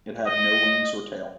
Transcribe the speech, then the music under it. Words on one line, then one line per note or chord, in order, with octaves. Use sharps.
It had no wings or tail.
D#5